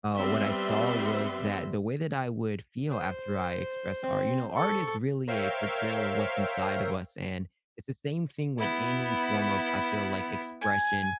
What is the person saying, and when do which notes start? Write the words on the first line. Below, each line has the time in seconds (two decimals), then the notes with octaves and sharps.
uh, what I saw was that the way that I would feel after I express art you know, art is really a portrayal of what's inside of us, and it's the same thing with any form of, I feel like, expression.
0.18 G3 B3 C4 B4 E5 C6
2.90 C5
4.03 C4
4.57 A4 C#6
5.28 A#4 C5 C#5 E5 F5 G5
8.59 B3 E4
10.61 G#5